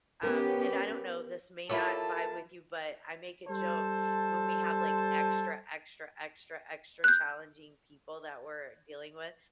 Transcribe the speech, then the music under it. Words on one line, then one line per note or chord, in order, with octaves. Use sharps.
um" and I don't know, this may not vibe with you, but I make a joke, when we have, like, extra, extra, extra, extra challenging people that we're dealing with.
B3 C#4 G4 A#4 B4
A#3 E4 F4 G4 A4 B4 C#5 A5
G3 A4 C5 A5
F#6 G6